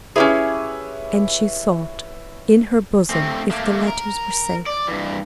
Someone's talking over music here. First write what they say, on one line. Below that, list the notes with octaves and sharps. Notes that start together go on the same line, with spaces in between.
And she sought in her bosom if the letters were safe.
C#4 E4 G4 G#4 B4 C#5
A3 C4
A3 A#3
A#4
D5
G2 E3